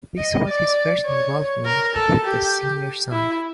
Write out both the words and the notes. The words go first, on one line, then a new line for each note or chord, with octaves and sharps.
This was his first involvement with the senior side.
D#5
D5
C#5
A#4
A4
G4
E4